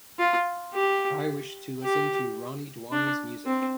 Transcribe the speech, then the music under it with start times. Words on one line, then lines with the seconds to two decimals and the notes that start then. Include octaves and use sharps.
I wish to listen to Roni Duani 's music.
0.19 F4
0.74 G4
1.83 G4
2.92 D4
3.47 C4